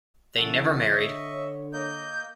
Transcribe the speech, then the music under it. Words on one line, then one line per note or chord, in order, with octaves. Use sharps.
They never married.
C#3 E3 F#4 A4
D3 C#5 D#5 E5 C#6
A#3 A#4 D#5 G6